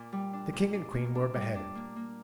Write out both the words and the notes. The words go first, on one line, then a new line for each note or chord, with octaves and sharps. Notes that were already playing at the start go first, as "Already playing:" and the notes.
The king and queen were beheaded.
Already playing: A#2 D4
G3
D4
A#2
D4
A#3
D4
G3
D4
A#3
A#3